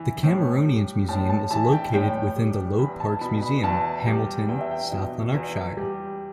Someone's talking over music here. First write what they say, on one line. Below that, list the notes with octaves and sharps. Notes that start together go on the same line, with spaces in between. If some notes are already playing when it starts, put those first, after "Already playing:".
The Cameronians Museum is located within the Low Parks Museum, Hamilton, South Lanarkshire.
Already playing: E3
A2
G3
A2 A5
A5
E3 A5
G5
A2 G5
G3
E2 B5
A5
B2 B5
B5
E2 A5
G3
E2 G5
E5
G5
B2
E2
G3